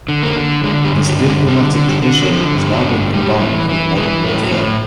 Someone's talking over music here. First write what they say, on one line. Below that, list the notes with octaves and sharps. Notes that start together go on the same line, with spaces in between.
This diplomatic tradition has now been combined with modern warfare.
D3
A#3
D3
D3 G#3
G3
G2
F#3
D3
G#3
D3 G3
D3
G3
D3
F#3
D3 F3
G2
F#3
D3
A2 G3
E3
E3
E3 G#3
A2 A3
F#3
A2 F3